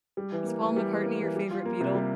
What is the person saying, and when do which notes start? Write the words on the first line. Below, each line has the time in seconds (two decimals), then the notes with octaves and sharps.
Is Paul McCartney your favorite Beatle?
0.17 G3
0.32 E3
0.46 A#3
0.61 E3
0.76 G3
0.92 E3
1.06 A#3
1.21 E3
1.36 G3
1.51 F4
1.65 A#3
1.81 C3
1.95 G3